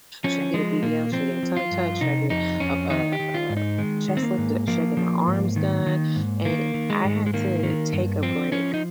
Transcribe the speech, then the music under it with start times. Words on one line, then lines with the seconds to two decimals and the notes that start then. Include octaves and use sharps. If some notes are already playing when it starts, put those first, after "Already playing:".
"Should I get a BBL? Should I get a tummy tuck? Should I get a a a chest lifted? Should I get my arms done?" And I had to take a break
0.24 F3 C#4
0.54 F3 G#3
0.82 A#2 A#3
1.12 F3 C4
1.43 F3
1.57 F4
1.71 G2
2.01 C3 D#4
2.30 F2 D#4
2.60 F2 C#4
2.90 D#3 D#4
3.13 G4
3.19 D#3
3.34 F4
3.50 G#2
3.57 D#4
3.78 D#3 G#3
4.08 D#3
4.17 C4
4.23 A#3
4.38 G#2
4.68 F3 A#3
4.97 F3
5.27 G#2
5.56 D#3
5.86 D#3
6.16 G#2
6.45 D#3 A#3
6.74 D#3
6.90 G#3
7.04 G#2
7.26 G#3
7.33 D#3 A#3
7.63 D#3
7.93 G2
8.23 F3 C4
8.52 F3 C#4
8.74 D#4